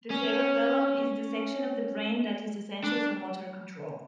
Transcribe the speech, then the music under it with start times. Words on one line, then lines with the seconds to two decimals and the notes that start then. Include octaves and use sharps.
The cerebellum is the section of the brain that is essential for motor control.
0.11 C#4
2.84 D4